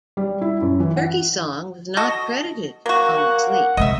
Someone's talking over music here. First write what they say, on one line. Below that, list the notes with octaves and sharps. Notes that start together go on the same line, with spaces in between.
"Turkey Song" was not credited on the sleeve.
G3
E4
F#2
E3
F#5
F#4 A4 D#5
F#3 A#3 F#4
F#5
C3 G#3 D#5 E5